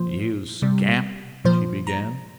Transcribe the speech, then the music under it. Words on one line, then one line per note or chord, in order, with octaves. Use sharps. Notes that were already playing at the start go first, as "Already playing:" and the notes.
"You scamp--!" she began.
Already playing: A#2 F3 C5
C3 G3
A#2 F3 C5
A#5